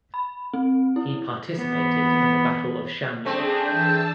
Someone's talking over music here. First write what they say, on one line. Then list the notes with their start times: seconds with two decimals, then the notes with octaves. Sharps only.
He participated in the Battle of Shamli.
0.14 B5
0.54 C4
0.96 E4
1.54 E3 B3
3.25 A3 C4 D4 G#4
3.66 E3 A5 E6 G6